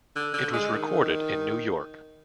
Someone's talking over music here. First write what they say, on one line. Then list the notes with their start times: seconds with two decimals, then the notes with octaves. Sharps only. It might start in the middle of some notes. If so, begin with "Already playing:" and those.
It was recorded in New York.
0.16 D3
0.34 D3
0.53 G#3
0.73 D#3